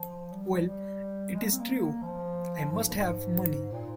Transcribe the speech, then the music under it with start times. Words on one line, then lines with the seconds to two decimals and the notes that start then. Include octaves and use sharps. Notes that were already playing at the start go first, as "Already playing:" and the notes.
Well, it is true; I must have money.
Already playing: F3
0.33 G3
0.67 G3
1.35 G#3
1.44 A#3
1.52 C4
1.60 A#3
2.02 F3
2.71 G#2
2.93 G#2
3.72 A#2